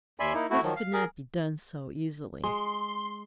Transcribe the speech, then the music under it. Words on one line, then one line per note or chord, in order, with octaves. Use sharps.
This could not be done so easily.
D#2 D5 E5 G#5 B5 C6
A#3 D#4 E4
A3 E4 F#4
D#3 F3 F#3
F5
G#4 A#4
G#3 C6